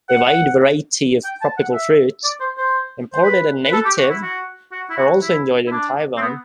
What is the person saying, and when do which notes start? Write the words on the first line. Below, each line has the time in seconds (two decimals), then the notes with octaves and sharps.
A wide variety of tropical fruits, imported and native, are also enjoyed in Taiwan.
0.09 F#5
1.24 G5
1.41 A5
1.58 F#5
1.73 E5
2.24 D5
2.40 C5
2.57 C5
3.13 C5
3.23 B4
3.64 B4
3.73 A4
3.85 G4
3.98 F#4
4.10 E4
4.23 F#4
4.72 F#4
4.90 E4
4.97 F#4
5.22 E4
5.67 E4
5.71 D4
6.17 C4
6.21 B3